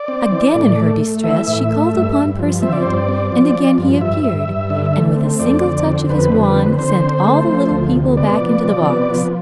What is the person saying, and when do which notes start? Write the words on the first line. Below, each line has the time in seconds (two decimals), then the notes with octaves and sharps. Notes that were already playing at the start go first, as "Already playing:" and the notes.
Again, in her distress, she called upon Percinet, and again he appeared; and, with a single touch of his wand, sent all the little people back into the box.
Already playing: D5
0.08 C4
0.32 E3
0.54 A2
0.78 A3
1.00 A3
1.23 E3 E5
1.47 A2
1.70 A3
1.93 G2
2.17 G2
2.39 F3
2.62 C4 E5
2.73 D5
2.83 G2 C5
2.93 D5
3.09 C4
3.32 F3
3.55 F3
3.78 G2
4.01 G2 E5
4.24 G2
4.48 G2
4.70 D3
4.94 A3
5.16 C4
5.40 F2 D5
5.63 D3
5.86 C4
6.09 F2 B4
6.32 D3
6.43 B4
6.55 C4
6.79 D3 C5
7.02 C4
7.25 A3
7.48 F3
7.71 D2
7.93 C3
8.17 B3 D5
8.40 F3
8.64 C3
8.86 B3
9.10 F3